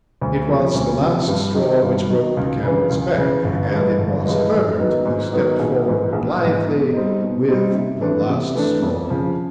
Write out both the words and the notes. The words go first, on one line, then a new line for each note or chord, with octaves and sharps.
It was the last straw which broke the camel's back, and it was Herbert who stepped forward blithely with the last straw.
D2
C3 F3
D2
C3 F3
G2
D#3 F#3
G2
D#3 F#3
C#2
C#3 E3
C#2
C#3 E3
G1
G2 E3 G#3
G1
G2 E3 G#3
G#2
D#3 F#3 B3 D#4
G#2
D#3 F#3 B3 D#4
A#1
G#2 E3
A#1
G#2 E3
B2
G3 C4 D#4
B2
G3 C4 D#4
C3
E3 A3 D4
C3
E3 A3 D4
F2
C#3 F3